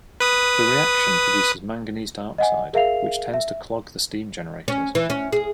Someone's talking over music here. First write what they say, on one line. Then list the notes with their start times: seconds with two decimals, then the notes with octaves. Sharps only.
The reaction produces manganese dioxide, which tends to clog the steam generators.
0.21 B4 D#6
2.38 D#5 F#5 G#5
2.73 G#4 A#4 E5 F5 C7 F7
3.34 E5
4.68 C#4
4.95 E3
5.10 C#4
5.33 G#4